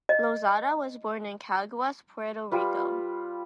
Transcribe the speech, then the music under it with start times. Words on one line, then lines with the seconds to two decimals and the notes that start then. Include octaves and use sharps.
Lozada was born in Caguas, Puerto Rico.
0.09 D#5
2.51 G3 F4 B4